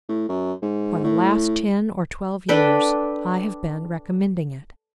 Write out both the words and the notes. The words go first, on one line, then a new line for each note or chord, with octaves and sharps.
For the last ten or twelve years I have been recommending it.
A2
F#2
G#2
A2
D4 A4 B4 G5